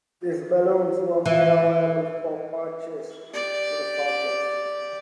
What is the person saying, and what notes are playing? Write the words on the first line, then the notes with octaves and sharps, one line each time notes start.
These balloons were made available for purchase to the public.
E3
G4 D5